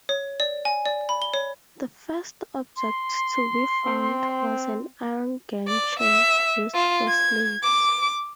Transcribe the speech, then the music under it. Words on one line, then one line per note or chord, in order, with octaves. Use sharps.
The first object to be found was an iron gang chain, used for slaves.
C#5
D5
G#5
D5
B5
G7
C#5
C6
C4
D5
E5
F4
G#6
D6